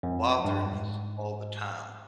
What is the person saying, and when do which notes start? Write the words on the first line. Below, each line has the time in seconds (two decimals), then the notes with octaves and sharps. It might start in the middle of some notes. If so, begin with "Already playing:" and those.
bothering us all the time
0.03 F2
0.45 G2
0.74 G#2